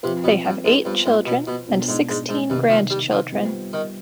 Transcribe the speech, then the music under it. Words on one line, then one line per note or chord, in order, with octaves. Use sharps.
They have eight children and sixteen grandchildren.
C3 F3 C4 F4 B4
B2
G2
G#2
G2 B3 F4 C5
G#2
B2
B2
B2 B3 D4 F4
G#2
G#2
G#2
G2 C3 D#3 B3 D#4
F3
G3
F3
G3 B3 F4 C5
D#3